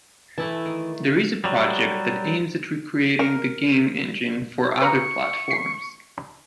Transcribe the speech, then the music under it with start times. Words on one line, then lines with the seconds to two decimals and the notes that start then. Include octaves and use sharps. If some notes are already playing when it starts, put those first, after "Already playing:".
There is a project that aims at recreating the game engine for other platforms.
0.38 E3 A3 E4 A5
0.65 D#3
1.44 F#3 G3
3.19 A#4
4.82 B4 A#5 C#6
5.50 B6 C7